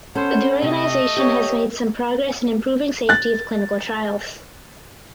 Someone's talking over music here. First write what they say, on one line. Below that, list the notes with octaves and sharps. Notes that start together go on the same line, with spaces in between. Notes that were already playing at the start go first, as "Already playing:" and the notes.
The organization has made some progress in improving safety of clinical trials.
B3 C#4 A4 C5
C3 A3 D#5
G4 C#5
F#6 A6